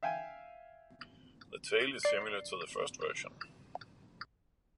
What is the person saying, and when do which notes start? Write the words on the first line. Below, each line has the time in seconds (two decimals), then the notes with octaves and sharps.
The tail is similar to the first version.
0.03 E5 F5 G5 G#5
2.03 D5 C7